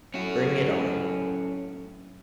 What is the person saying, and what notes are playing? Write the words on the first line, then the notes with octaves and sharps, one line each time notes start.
Bring It On!
A2 F#3 C#4 F#4